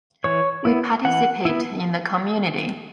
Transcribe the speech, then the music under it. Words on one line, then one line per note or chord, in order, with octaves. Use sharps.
We participate in the community.
E3 C#5
B3 E4
E3 F#5
B3 E4